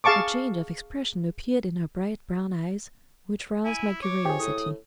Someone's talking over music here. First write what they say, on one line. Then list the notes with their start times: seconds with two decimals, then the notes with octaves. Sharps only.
A change of expression appeared in her bright brown eyes which roused my curiosity.
0.04 G#4 F5 A5 C#6 D6
3.65 E4 G#5
4.02 C#5 D6
4.25 F3 G4 G#4
4.39 A2 D#6